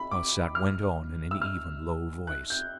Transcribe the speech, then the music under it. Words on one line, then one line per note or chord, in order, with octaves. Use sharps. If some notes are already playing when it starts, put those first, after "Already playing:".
Arsat went on in an even, low voice.
Already playing: B5
D6
F6
E6
F6
F#6
G6